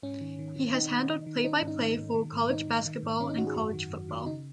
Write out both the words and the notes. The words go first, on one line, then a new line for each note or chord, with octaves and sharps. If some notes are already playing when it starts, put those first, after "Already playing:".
He has handled play-by-play for college basketball and college football.
G#2 C#4
D#3
D#3
D#3
D#3 D#4
D#3
D#3
D#3
D#3 D#4
C#4
G#2
D#4
D#3
G#2
D#3
G#2
D#3 D#4
D#3
D#3
G#2
D#3 C#4
D#4
G#2 F#4
G#4
F#2 F#4
D#3
F#2
D#3
C#3 D#4